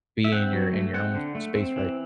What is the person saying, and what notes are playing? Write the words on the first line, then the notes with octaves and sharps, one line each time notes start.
be in your in your own space, right?
E5
C4 F#5
F#3
A3
C4 F#5
D3
A3
C4
E3